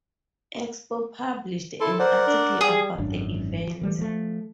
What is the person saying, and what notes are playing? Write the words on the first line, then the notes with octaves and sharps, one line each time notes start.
Expo published an article about the event.
E4 A4 C6
A#4 C5 D5 F#5
D4
G3 G#4
G#1 F#2 D4
E3 G3 A3
F3 A3